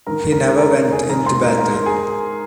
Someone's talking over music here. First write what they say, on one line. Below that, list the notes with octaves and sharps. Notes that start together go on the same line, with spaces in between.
He never went into battle.
G#2 D#3 A#4 A#5
A#4 A#5
A#4 A#5
A#4 A#5
G#4 G#5
G#2 D#3 A#4 A#5
C5 C6
A#4 A#5
A#4 A#5
A#4 A#5
G#4 G#5